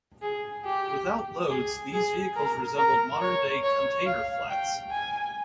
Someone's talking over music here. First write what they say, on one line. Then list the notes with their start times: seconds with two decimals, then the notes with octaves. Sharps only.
Without loads these vehicles resembled modern day "Container Flats".
0.22 G#4
0.65 G4
1.50 G#4
1.93 G#4
2.36 A#4
2.78 A#4
3.21 C#5
3.63 C#5
4.06 F5
4.50 G5
4.91 G#5